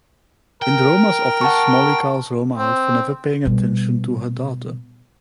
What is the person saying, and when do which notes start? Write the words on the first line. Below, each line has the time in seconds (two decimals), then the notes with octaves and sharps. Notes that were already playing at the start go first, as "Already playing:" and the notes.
In Roma's office, Molly calls Roma out for never paying attention to her daughter.
0.62 A#4 G5
1.41 F#5 A5 C#6
2.58 C4
3.45 B2 G3